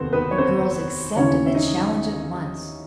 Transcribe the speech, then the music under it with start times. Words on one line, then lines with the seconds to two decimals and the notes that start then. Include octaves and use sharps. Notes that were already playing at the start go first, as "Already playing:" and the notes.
The girls accepted the challenge at once.
Already playing: F1 D#2 D#3 B3 C4 C5
0.13 B3 B4
0.31 C#5
0.38 C4 C5
1.16 D#2 C#3 E3 C#4 C#5
1.46 E5
1.54 D#4 D#5